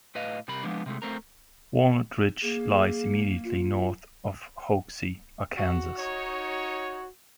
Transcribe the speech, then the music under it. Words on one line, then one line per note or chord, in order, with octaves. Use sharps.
Walnut Ridge lies immediately north of Hoxie, Arkansas.
A2 B4 D#5 F5
C3 G3 A#4 B5
F3 G#3 B3 D4
C3 G#3 A3
A3 C4 A#4
A#3 G#4
F4
F#4
D#4 C#5